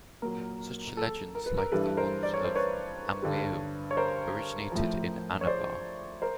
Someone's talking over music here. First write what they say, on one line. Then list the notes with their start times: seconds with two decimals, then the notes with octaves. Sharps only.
Such legends like the ones of 'Amwieob' originated in Anabar.
0.22 A#2 F#3 A#4
0.97 A4
1.35 A#4
1.46 B4
1.58 A#4
1.72 G2 E3 G3 A4 B4
1.97 A#4 C5
2.23 D5
2.34 C#5
2.45 C5
2.56 B4 C#5
3.22 G2 D3 G3
3.91 C#5
3.97 A#4 C5
4.72 A2 F3
5.41 C#5
5.47 C5 D5
6.22 A#4 C5